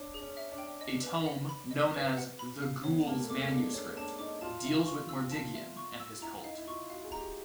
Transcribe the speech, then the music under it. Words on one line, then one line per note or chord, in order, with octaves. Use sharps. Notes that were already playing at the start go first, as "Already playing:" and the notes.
A tome known as "The Ghoul's Manuscript" deals with Mordiggian and his cult.
Already playing: D4 C#5
G#4
C#4
E5
D4
G5
D#5
B4
F#5
B5
D#5
B4
F#5
B5
F5
B3 C#5
A#3 A5
A3
G#3 D6
D4 F5
C#4 C#5
D4 A5
D#4 D6
F4 A5
E5
C#6
E6
A5
E5
C#6
E6
E4 A#5
D#4 F5
E4
F4 C#6
F#4 F5
G#4
G4 A#5